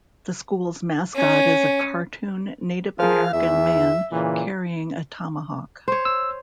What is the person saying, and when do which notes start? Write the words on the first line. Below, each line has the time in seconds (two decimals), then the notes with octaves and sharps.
The school's mascot is a cartoon Native American man carrying a tomahawk.
1.16 C#4
2.99 F3 G#4 A#4 F5
3.33 E2 E5
4.12 A#2 C#3 E3
5.88 C5 C#5
6.05 E6